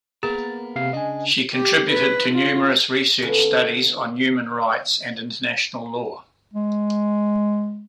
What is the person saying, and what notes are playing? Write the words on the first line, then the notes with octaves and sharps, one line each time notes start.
She contributed to numerous research studies on human rights and international law.
A#3 B3 G#4 A#4 A6
C3 F5 C7
C#3 D4 D#5 G#5
G4
B4
F4
D3 A#3 B3 C#4 D4
G#3